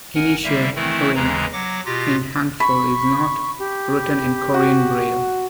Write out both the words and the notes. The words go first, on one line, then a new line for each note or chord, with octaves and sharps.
Initial "ieung" in hangul is not written in Korean Braille.
A#4 F#5 G#5
D3 G3 A#3 E5
D#3 E3 A3 C4 E4
D#2 C#3 E3 G#3 A#5
F#3 F#5 D6 A#6
B2 F4 G4 A#6
B5 C#6
G4
F#4